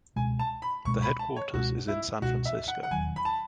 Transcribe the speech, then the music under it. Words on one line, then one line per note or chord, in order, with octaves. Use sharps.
The headquarters is in San Francisco.
C#2 B2 G#3 G#5
A5
B5
C#2 B2 G#3 C#6
B5
A5
C#5
C#2 B2 G#3 F#4
E4
C#2 B2 G#3 F#4
E5
F#5
F#5
E1 D#2 D#3 F#3 G#5
B5
A5